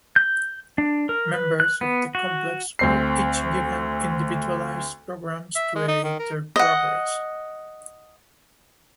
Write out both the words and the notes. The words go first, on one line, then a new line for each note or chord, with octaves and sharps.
Members of the complex were each given individualized programs to aid their progress.
G6
D4
A#4
B4
F#6
B3
F#4
D2 C4 C7
E5
G#3
D#4
D#3
A#4
D#5 F#5